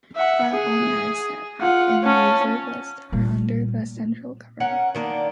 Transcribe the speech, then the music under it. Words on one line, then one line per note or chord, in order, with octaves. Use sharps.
While all matters set out in the Reserved List are under the central government.
E5 F#5
G#4
F4 F#5
C#4 A5
A#2 G3
C#4 A#4 F#5
D#3 A#3 D4